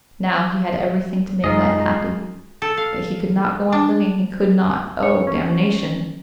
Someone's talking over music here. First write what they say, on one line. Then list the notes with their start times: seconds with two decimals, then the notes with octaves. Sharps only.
Now he had everything to make life happy ... but he could not go on living, he could not; oh, damnation!
1.44 F#2 G#3 D#4 F4 D#5
2.62 A4
2.77 F5
3.72 D4
5.03 C#5
5.27 C#4